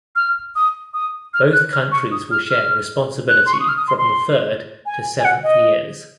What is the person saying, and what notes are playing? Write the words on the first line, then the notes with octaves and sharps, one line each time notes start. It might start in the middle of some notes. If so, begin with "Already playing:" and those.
Both countries will share responsibility from the third to seventh years.
F6
D#6
D#6
F6
F#6
F6
C#6
D#6
F6
F6
F#6
C6
C#6
D#6
F6
D#6
C6
C6
G#5
G#5
F#5
D#5